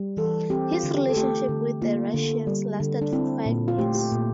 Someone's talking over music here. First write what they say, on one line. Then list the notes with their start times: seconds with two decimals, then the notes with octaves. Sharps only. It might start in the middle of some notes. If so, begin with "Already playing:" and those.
His relationship with the Russians lasted for five years.
Already playing: G3
0.17 E3 A4
0.50 C4 G4
0.72 F4
0.83 D3
0.94 G4
1.09 A4
1.16 A3 G4
1.48 D3
1.82 A#3 F4
2.14 D3
2.47 G3
2.80 D3
3.02 D4
3.12 C4 E4
3.46 A#2
3.68 F4
3.79 A3 G4
3.95 G4
4.12 A#2